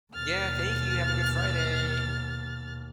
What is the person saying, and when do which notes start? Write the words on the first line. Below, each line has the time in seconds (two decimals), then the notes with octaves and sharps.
Yeah, thank you, have a good Friday.
0.14 D#2 B2 F6 A6